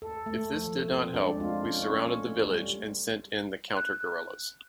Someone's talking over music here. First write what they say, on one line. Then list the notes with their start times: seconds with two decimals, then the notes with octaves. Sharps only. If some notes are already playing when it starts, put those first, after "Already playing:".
If this did not help, we surrounded the village and sent in the counter-guerrillas.
0.02 A4
0.26 A3
0.55 F3
0.91 C4
1.14 D4
1.26 G#3
1.40 F4
1.65 C#4
1.83 C#5
2.16 A3
2.46 G3
3.77 F#6